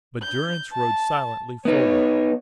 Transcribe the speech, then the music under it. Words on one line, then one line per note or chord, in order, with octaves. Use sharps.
But Durrance rode silently forward.
G6
A5
B3 D#4 C#5